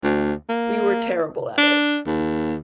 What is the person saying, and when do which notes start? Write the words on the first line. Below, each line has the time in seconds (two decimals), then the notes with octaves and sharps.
We were terrible at it.
0.03 D2
0.49 A#3
1.58 D4
2.07 D#2